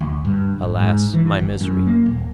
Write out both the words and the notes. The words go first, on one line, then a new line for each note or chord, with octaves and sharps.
'Alas! my misery!
D2
G2
G#1
G#2
E3
G1
F#2
A#3
D#1